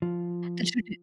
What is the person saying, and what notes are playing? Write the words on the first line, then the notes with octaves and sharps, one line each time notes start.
They should d
F3